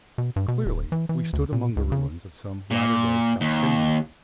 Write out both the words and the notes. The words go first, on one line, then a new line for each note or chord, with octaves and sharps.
'Clearly we stood among the ruins of some latter-day South Kensington!
B2
G2
B2
D1
E3
E3
D2
A#2
C#2
C#3
A#2
D#2